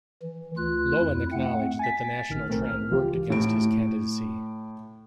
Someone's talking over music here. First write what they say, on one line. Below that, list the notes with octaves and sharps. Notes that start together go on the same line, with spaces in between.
Loewen acknowledged that the national trend worked against his candidacy.
E3
D2 F4 F#6
F2 E4
A3 C4 F#5
G#5 A6 B6
A1 D#3 F6
B1 A3 C4 A#4
F6
C#2 E3 F4 G4
A2 D7